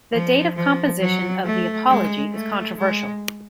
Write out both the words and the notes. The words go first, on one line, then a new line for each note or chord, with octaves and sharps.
The date of composition of the "Apology" is controversial.
F3
F3
F#3
A3
G#3
A3
G#3